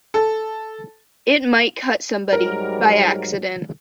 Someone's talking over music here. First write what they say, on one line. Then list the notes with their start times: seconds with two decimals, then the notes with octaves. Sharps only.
It might cut somebody, by accident.
0.14 A4
2.33 G#2 F#3 G3 A#4